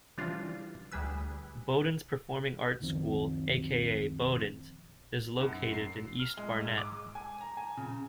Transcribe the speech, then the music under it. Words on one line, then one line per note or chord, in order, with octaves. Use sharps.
Bodens Performing Arts School, aka Bodens, is located in East Barnet.
C#3 E3 F3 G3 D4 F4
D2 G3 G#4 B4 E6
C#2 F#2 D#3 F3 C4
F#2
C7
F6
G#3
G#2
D6
G#5
A#5
G#5
C#3